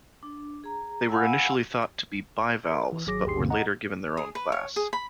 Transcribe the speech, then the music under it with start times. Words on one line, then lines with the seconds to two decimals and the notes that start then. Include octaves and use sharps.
They were initially thought to be bivalves, but were later given their own class.
0.23 D4
0.64 G#4 A#5
1.09 F5 F#5 G#5 B5 E6
2.72 A#4
2.92 E3
3.07 G#1 F#3 G#4 D6 A#6
3.25 G1 D2 G4 G#4 C6 C7
3.38 D2 G2 B2 D3 A#3 C4
3.50 D#5 F#5 A#5
4.17 G#4
4.35 B4
4.52 C#5
4.76 G#4
4.93 B5